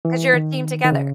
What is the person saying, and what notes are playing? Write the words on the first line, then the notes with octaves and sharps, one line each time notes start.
'cause you're a team together.
E3
D#3
D#3
C#3